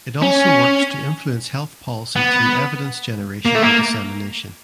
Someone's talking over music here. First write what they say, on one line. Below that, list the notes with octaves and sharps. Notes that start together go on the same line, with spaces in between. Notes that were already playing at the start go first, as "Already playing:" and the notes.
It also works to influence health policy through evidence generation and dissemination.
C#4
B3
A#3
A3
A#3